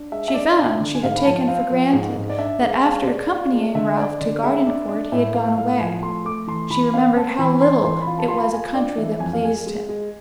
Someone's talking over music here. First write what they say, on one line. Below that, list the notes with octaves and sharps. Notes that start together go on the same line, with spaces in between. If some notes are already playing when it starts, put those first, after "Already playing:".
She found she had taken for granted that after accompanying Ralph to Gardencourt he had gone away; she remembered how little it was a country that pleased him.
Already playing: D4
G#3 E5
E5
D4 D5
D4 E5
D3
G#5
G#2 F5
B5
F3 A5
C4 F5
F3
G#2
G#2
D5
D4 E5
G#3
G#3 F5
G#3 D5
F4
G#3
D3 E5
D4 D5
D3 D5
G#3 E5
D4
D4
A2 E5
A3 F5
A2 F5
F3 G#5
A3 C6
A3 D6
E3 C6
E3 B5
C4 F5
C4 A5
E3 B5
C4 C6
E3 C6
B5
F4
A5
F4 C6
B5
F4 G#5
D4 D5
E3 E5
F2 G#5
F5
G#3 G#5
G#3
G#3